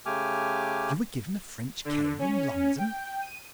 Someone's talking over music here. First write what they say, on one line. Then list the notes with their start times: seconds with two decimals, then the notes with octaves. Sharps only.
"You were given a French cane in London!"
0.06 C#3 A3 G4 G#5 D6 F6
1.85 D3
2.19 C#4
2.78 G5
3.22 D#7